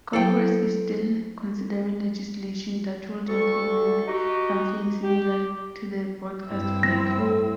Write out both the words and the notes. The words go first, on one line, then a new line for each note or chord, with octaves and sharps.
Congress is still considering legislation that would implement something similar to the Broadcast Flag.
F#3 E4 A4 C5 G5
D2 A4 C#6
D#4 F#4 G4
G4
G2 C4 E4 E6
A#6
A2